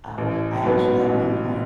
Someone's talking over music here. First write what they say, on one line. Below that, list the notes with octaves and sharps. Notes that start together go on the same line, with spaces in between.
um, I actually at one point,
A1
G#2 F#3 B3
A1